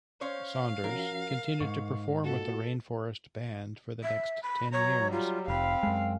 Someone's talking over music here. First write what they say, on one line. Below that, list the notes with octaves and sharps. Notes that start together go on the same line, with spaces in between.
Saunders continued to perform with the Rainforest Band for the next ten years.
C#4 C5 C#5 F5
F3 C#4 F#4 A#4
G#2 C#6
A#3 F4 F#4 A4
E5
B5
F#3 C#5 A#5
G3 F4
F1 C4 F5 B5
F#2 G#3